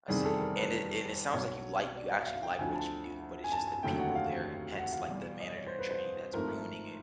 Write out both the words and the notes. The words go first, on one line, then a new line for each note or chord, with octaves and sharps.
I see. And it and it sounds like you like you actually like what you do, but it's just the people there- hence, like, the manager-in-training that's ruining it,
F1 E2 C3 D#3 G3 G#4
A4
A#4
B4
B1 B2 F#3 C#5
D5
E5
F5
G5
D2 D3 F3 G#5
A5
G#5
A5
G#5
F1 D#2 D3 F#3 A3 G5
F#5
F5
F#5
F5
E2 B2 G3
D#5
C#5
C5
B4
C5
G#1 G#2 F3 A3 A#4